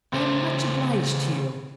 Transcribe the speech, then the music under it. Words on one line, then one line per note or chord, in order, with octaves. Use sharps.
I am much obliged to you.
C#3 A3 C5